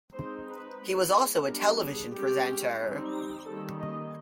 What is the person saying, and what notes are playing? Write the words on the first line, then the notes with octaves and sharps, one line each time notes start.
He was also a television presenter.
G#3 C4 D#4 C5
B4
G#3 B3 D#4
G3 B3 D4 A#4
G#4
G#3 C#4 G4
G3 C4 D#4
D#3 G3 A#3 C#4 A4
D#5